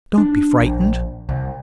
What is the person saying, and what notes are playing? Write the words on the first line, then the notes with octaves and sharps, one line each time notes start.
Don't be frightened.'
D4
A#1
C2